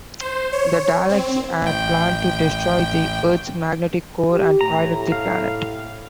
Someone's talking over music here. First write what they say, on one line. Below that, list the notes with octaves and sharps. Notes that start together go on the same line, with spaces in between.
The Daleks here plan to destroy the Earth's magnetic core and pilot the planet.
C5
C#5
C4
A1 G5
G4
A2 A#5
F5